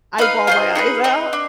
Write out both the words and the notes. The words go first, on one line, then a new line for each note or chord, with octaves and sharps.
I bawl my eyes out.
D#4 B4 F5
F4 G#4 C5 D#5
D#4 G#4 B4
C4 D#4 B4 D#5
D4